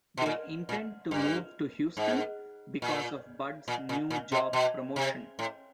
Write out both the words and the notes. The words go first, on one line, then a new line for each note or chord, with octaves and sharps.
They intend to move to Houston because of Bud's new job promotion.
B2
A#2
A#2
G2
G#2
A#2
A#2
A#2
A#2
B2
B2
C3
A2